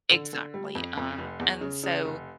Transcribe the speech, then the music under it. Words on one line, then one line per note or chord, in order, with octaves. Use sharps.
exactly, um, and so,
D3
D3
G3
F2
F2
F1
E2
C#3
C#3
F1